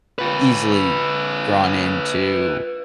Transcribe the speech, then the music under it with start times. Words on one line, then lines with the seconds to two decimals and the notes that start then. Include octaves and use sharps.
easily drawn into,
0.19 F4 B4